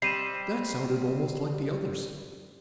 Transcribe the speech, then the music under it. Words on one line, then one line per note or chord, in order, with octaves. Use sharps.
That sounded almost like the others.
G3 C4 C7 D#7 E7